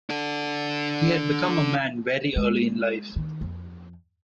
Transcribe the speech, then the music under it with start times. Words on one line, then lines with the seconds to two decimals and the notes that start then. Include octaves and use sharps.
He had become a man very early in life.
0.10 D4 A4
2.36 G#3
3.16 D#3
3.41 F2